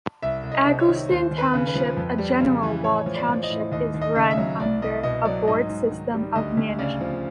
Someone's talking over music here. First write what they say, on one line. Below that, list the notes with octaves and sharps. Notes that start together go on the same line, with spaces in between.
Egelston Township, a general law township, is run under a board system of management.
C2 E5
C2
D#5
C3
C#5
D#3
D#2 C5
D#2
B4
C#3
B4
F3
F2
G3
C#3
E3
A2 C#5
F3
D5
F3
D#5
A2
D#2 D#5
D#2
D#5
C#3
E5
F#3
C2 D5
C2 D#5
B2 D#5
F#3 D5
G#2 D#5
G#2
D#3
G3
D2 D#5
D2
C#3 D5
F3